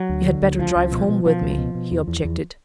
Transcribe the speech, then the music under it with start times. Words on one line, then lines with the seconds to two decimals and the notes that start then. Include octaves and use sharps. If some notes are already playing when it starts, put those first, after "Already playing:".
"You had better drive home with me," he objected.
Already playing: F#3
0.09 D2
0.26 D3
0.42 D2
0.59 C#2 F3
0.75 C#2
0.92 B2
1.09 B2
1.25 B2 F3
1.42 C#2
1.58 B2
1.75 B2
1.91 E2
2.08 E2
2.24 E2